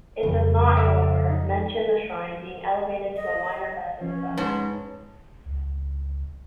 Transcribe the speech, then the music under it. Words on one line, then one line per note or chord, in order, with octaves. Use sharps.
It does not however, mention the shrine being elevated to a minor basilica.
F2 C#3 G3
A4 E5 D6
D#4
D#5
F3 C#4
G#2 B4 C#5 A5
C#2